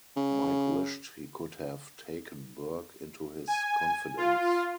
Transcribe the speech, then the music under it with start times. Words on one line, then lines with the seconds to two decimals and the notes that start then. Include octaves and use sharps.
Mike wished he could have taken Burke into his confidence.
0.16 C#3
3.48 G#5
4.17 F4